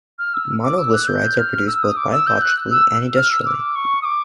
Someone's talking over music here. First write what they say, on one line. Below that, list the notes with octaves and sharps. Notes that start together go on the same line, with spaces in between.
Monoglycerides are produced both biologically and industrially.
F6
E6
D6
E6
F#6
G6
F6
E6
D#6
D6
E6
G6
F#6
E6
F6
E6
D6
C#6
D#6
D6